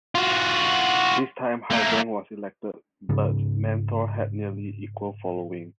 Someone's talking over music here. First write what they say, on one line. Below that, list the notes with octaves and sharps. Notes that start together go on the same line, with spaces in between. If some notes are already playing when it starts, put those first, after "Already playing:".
This time Hardang was elected, but Manthor had nearly equal following.
F4 F#4
A3 A#3
G#2 C#3